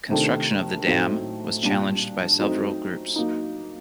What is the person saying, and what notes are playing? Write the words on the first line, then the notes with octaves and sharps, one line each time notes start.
Construction of the dam was challenged by several groups.
C3 D#3 A3 D4
A2 F#3 A3 C4 D#4
A#2 G3 D4
F#3 A3 C4 D#4
F#3 A#3 D#4